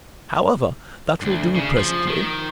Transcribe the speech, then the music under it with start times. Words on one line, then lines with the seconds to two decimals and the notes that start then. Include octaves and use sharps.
However, that'll do presently.
1.22 D2 G2
1.55 C#3
1.78 F3
2.09 D#3